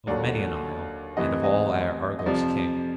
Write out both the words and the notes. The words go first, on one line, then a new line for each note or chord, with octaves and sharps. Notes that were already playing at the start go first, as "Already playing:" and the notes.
Of many an isle, and of all Argos king.
D#2 D3 F#3 D5
D2 C3 E3 D#5
D#5
D#5
F2 C3 F3 D5